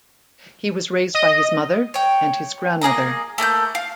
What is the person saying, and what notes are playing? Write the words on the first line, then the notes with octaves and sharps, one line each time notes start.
He was raised by his mother and his grandmother.
D#5
C#5 G5
A#3 G#4 D#5 A#5
A3 A#3 G#5 G6
F5